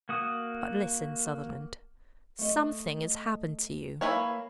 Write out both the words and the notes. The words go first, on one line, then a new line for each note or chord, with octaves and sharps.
But listen, Sutherland. Something has happened to you.
A#3 F#4 D#6
A3 D#5
E3 A#3 E4 C#5